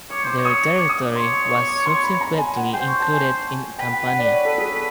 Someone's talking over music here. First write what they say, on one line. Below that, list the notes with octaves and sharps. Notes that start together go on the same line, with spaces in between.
Their territory was subsequently included in Campania.
C#5 D6
C5 D6
C#5
D#6
D6
D#6
D6
C#5 C6
C#6
C#6
D6
C6
B5
A#5
G#5
F#5
C5 G5
C#6
A5
G#5
B4 G5
G5
F#5
D5
C#5
A4
G#4
A4